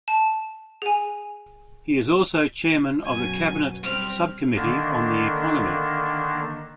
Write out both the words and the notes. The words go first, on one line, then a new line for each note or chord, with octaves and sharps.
He was also Chairman of the cabinet sub-committee on the economy.
A5
G#4 G#5
F#2 B2 F#3 G#5
G3 C4 G4 F6
D3 D#3 A#3 D4